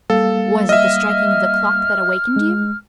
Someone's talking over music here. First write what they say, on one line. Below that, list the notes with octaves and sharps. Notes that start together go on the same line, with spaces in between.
"Was it the striking of the clock that awakened you?"
G3 A#3 A4 F5
D#5 E5 F6
G#3